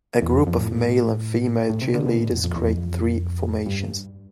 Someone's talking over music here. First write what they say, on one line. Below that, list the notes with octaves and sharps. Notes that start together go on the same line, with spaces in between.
A group of male and female cheerleaders create three formations.
E2
F2
F2
A2
A2
C3
D3
B2
A2
F2
F2
E2
F2
G2